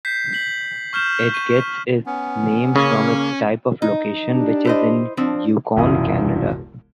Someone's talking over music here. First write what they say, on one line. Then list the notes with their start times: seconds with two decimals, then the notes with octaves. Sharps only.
It gets its name from its type of location, which is in Yukon, Canada.
0.05 G6 B6 C7
0.33 B6 F#7
0.93 C#6 F6 G6 E7
1.34 C#6 D#7
2.06 B3 C#4
2.76 C#3 A#3 C#4
3.82 D#4 D#5
4.29 D4 G4
4.65 E4 C5 D#5
5.17 F3 C4 D4
5.76 E1 C2 F#2 E4 F4 D#6